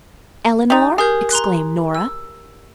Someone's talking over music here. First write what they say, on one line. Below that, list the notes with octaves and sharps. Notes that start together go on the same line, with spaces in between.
"Eleanor?" exclaimed Nora.
G3 D#4
G4 G#4 A#4 G6
A#5 C6 F#6
E6